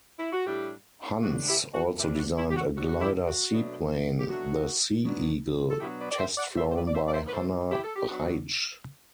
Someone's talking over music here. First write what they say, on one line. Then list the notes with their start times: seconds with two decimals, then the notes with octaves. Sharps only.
Hans also designed a glider-seaplane, the "Sea Eagle", test flown by Hanna Reitsch.
0.19 E4
0.32 F#4
0.46 A2 G3 D4 E4 G4
1.23 A2 G3 D4 F#4
1.48 E4 G4
1.74 F#4
1.99 C3 G3 D4 E4 G4
2.14 E4
2.18 F#4
2.37 E4
2.50 G4
2.56 F#4
2.75 C3 G3 D4 F#4
2.89 F#4
3.01 E4 G4
3.26 F#4
3.51 B2 F#3 A3 D4
4.19 G4
4.28 B2 F#3 A3 D4 F#4
5.03 B2 F#3 B3 D4
5.70 A4
5.80 B2 F#3 B3 D4 E4 G4
6.00 B4 D5
6.11 D5
6.18 C5 E5
6.38 D5 F#5
6.56 A2 E3 A3 C5 E5
6.70 C5
6.75 B4 D5
6.87 D5
6.94 C5 E5
7.08 D5
7.14 C5 E5
7.28 B4
7.32 A2 E3 A3 A4 C5
7.71 E4 G4
7.84 A4
7.96 G4
8.09 F#3 B3 D4 F#4